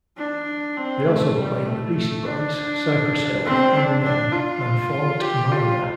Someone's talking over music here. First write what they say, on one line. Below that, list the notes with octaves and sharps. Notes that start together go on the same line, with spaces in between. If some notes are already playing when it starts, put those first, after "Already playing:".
They also played the Beastie Boys, Cypress Hill, Eminem and Fort Minor.
D4
C4
A3
G3
A3
A3
D4
C4
D4
D4
F4
G4
F4